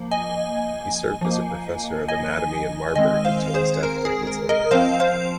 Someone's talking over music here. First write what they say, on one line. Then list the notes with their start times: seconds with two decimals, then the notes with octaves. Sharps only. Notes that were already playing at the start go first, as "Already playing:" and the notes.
He served as professor of anatomy in Marburg until his death decades later.
Already playing: F3 A#3
0.11 D#5 G#5
1.21 F3 A#3
2.08 D#5 G#5
2.95 D#3 G#3 C4 D#5 G#5
3.25 C5 F5
3.54 G#4 C5
3.83 A#4
4.05 G#4
4.27 A#4
4.49 A#4 D#5
4.71 F3 C4 C5 F5
5.00 C5 F5